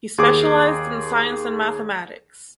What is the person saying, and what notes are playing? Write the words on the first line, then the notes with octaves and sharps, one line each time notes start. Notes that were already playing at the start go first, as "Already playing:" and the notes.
He specialised in science and mathematics.
D#2 G#4 D6